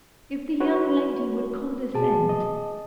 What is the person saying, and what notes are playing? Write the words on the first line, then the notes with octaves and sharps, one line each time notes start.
If the young lady would condescent!
F#4 B4 C#5
B2 G#4 A5
D#5